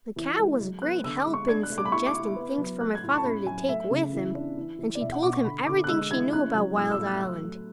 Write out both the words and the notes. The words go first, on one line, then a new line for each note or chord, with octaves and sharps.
The cat was a great help in suggesting things for my father to take with him, and she told him everything she knew about Wild Island.
E3
G#3
F#3
B3 F#6
D3 E6
D6
G#3
C#6
D4 G#6
F#6
A3
D6
B5
E4 C#6
D6
E4
B3
F#3
A3 F#6
G#6
A2
C#6
A5
C#4 B5
F#3 G#5
A3 E5
C#3
E3
D4
E3
E3
D5
B2 E5
F#5
B2 D6
C#6
D3 B5
D3 D6
F#6
G#3 E6
E3 G#6
C#4 F#6
F#3
A2 E6
E6
A3
F#6
F#3 E6
A3